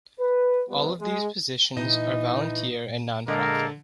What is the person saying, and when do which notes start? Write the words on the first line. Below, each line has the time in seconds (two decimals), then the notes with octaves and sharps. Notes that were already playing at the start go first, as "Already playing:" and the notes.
All of these positions are volunteer and nonprofit.
0.20 B4
0.69 C3 F3 G3 B3
1.01 G#3
1.77 A#2 E3 D#4 D#5
3.28 D3 G#3 A#3 A4 A#4